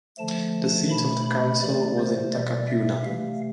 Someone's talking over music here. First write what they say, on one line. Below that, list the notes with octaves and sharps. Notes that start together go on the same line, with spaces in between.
The seat of the council was in Takapuna.
D3 F3 A3 A5
B2 A3 B5
B5
C3 E3 A3 D5
C5
B2 G3 D5
E5
C3 E3 A3 F5